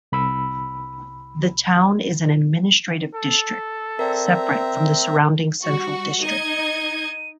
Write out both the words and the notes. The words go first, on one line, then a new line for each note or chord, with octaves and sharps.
The town is an administrative district, separate from the surrounding Central District.
C2 B5 E6
A4
C4 A#4 D5 E5 A#5
G3 F#4 C#6
D#4 D#5 G#6 D#7